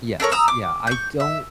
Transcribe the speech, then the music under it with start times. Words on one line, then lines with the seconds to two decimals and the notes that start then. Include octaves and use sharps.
Yes. Yeah. I don't
0.20 D4 A4 A#4 C#5
0.32 A#5 D#6 E6
0.48 D6
0.87 C#6 G6
1.20 E5